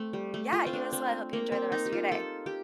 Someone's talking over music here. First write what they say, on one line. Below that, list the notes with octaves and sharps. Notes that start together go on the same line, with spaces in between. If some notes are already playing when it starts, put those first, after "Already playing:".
Yeah, you as well. I hope you enjoy the rest of your day.
Already playing: A3 C4
G3
A3
F4
C4
D4
C4
A#3
C4
D#4
G4
F4
A4
G4